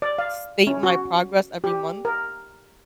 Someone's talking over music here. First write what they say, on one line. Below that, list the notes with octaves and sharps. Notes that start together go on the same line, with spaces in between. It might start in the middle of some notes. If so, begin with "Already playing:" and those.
state my progress every month.
D5
F5
C#4
F#4
G4
A#4